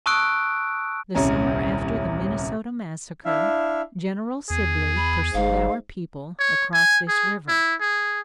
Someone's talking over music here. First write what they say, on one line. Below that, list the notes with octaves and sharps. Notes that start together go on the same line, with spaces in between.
The summer after the "Minnesota massacre," General Sibley pursued our people across this river.
A5 C#6 D#6 E6 F#6 D7
D#1 C2 C#4 A#5
D4 E4 E5 F5
E2 G#4
B5
G1 G#2 F5
C#5
G#5
G#4
E4
G#4